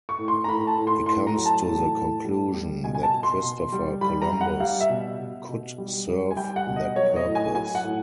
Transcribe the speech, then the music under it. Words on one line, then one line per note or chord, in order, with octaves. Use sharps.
He comes to the conclusion that Christopher Columbus could serve that purpose.
C#6
A2
C6
A#5
A2 B5
A5
A2
C6
A2 C6
A#5
F#3
A5
A2
A2
G3
G3
B2 G#5
G#5
A5
B2
C6
B2
G3
G3 B5
A#5
G3
F#5
G3 F5
E5
B2
B2
B2
G3
G3
G#5
G3 G5
F#5
B2
D#5
F#3 C#5
D#5
A2
G#5
F#3 G#5
F#5
A2